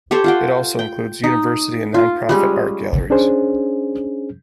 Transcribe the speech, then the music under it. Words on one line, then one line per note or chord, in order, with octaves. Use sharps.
It also includes university and non-profit art galleries.
G4 A4 C5 C#5
F4 F#5 G5
G5
D#4
F4
G3 G#3 C#4
C#4 D4 G#4 C5